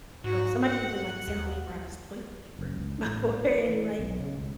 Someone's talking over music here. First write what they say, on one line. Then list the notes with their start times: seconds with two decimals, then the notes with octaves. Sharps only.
but, somebody even, like, simply brought us toilet paper before and, like
0.24 G#2 F#4
0.64 F#5
1.28 D#2
2.59 F#1
2.76 C#2
3.04 A1
3.41 A#2
3.69 E3
3.99 B1
4.20 C#3
4.37 C#2